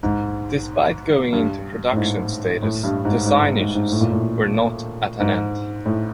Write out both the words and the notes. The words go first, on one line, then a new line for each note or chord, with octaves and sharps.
Despite going into production status, design issues were not at an end.
G#2
G2
A2
G#2
A2
G2
G#2
G#2
G#2
G#2
G#2
A2
A#2
A2
G#2
A2